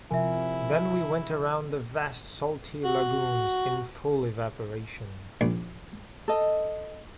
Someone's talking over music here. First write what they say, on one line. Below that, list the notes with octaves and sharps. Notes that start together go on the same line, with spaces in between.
Then we went around the vast salty lagoons, in full evaporation.
C3 F3 E4 A#4 E5 G#5
F#4
A#1
A4 D#5